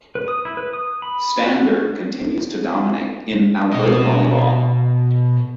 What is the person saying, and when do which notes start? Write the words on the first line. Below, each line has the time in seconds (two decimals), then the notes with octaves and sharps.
Standard continues to dominate in Alberta Volleyball.
0.15 B4
0.28 D#6
0.45 E4
0.57 B4
0.73 D#6
1.02 B5
1.44 F#4
3.73 B2 D#5